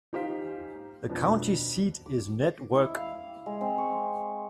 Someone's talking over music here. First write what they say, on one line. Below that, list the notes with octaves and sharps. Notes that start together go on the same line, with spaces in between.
The county seat is Network.
D#4 F4 G4 C5 F5 B6
F2 B2 D4
D6
E4
F5
G#3
C4
C#6